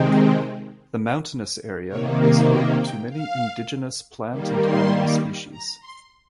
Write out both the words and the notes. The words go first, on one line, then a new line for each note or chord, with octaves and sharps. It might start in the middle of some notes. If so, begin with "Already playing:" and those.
The mountainous area is home to many indigenous plant and animal species.
Already playing: C3 D#3 G#3 C4
C3 D#3 A#3 C#5
F5
G5
G5
F5
D#3 G3 A#3
C6
A#5
C6